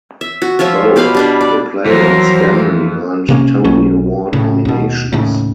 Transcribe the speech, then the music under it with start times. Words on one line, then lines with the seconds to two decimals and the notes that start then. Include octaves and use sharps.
Both the play and Stanley earned Tony Award nominations.
0.21 E5
0.42 F#4
0.59 F3 F4 C#5 E5
0.96 B2 G4 B4 F5
1.15 G3 D4 B4
1.41 D5
1.86 F2 E3 F#3 A#4 C5
3.29 C3 A#3 C#4
3.64 B1 F#3 C#4
4.33 A2 C#3
4.65 D#2 B2
5.13 D#2 A2 C#3